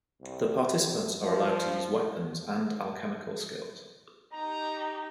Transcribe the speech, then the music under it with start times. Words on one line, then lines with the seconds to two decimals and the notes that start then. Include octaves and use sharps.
The participants are allowed to use weapons and alchemical skills.
0.22 C2
1.24 F3
4.33 D#4 G4 A#5